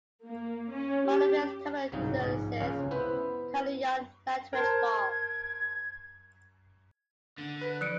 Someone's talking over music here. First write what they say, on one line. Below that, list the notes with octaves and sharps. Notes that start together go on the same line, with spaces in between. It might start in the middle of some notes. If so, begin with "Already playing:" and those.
Part of this terminal utilises Cairnryan Lighterage Wharf.
A#3
C#4
G4
C2 G#2 C#3 F#3 D#4
A#1 G#2
C#2 C#3 C#4 F5
B3 E4 B4 C5
A#4 C5 A5 G#6
D3
B4
F3 F#6 C#7 D7